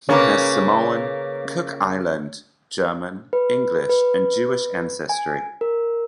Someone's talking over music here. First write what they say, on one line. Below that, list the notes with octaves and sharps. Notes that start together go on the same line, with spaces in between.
He has Samoan, Cook Island, German, English and Jewish ancestry.
C#3 A#3 C#4 B4
B4
B4
G#5
A#4